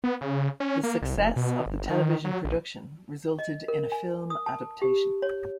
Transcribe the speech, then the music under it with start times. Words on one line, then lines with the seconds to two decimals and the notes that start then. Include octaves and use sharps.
The success of the television production resulted in a film adaptation.
0.04 B3
0.21 C#3
0.60 C#4
0.83 A#3
1.02 C2
1.17 F1
1.36 B2
1.66 G1
1.90 D#3
2.25 F#3
2.44 A#1
3.39 D#5
3.68 A#4
3.92 G#5
4.30 D#6
4.46 A5
4.82 G4
5.22 C#5